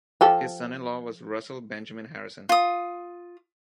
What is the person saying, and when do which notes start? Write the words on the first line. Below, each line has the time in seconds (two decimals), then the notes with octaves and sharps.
His son-in-law was Russell Benjamin Harrison.
0.21 F3 G4 A4
2.49 F4 D#6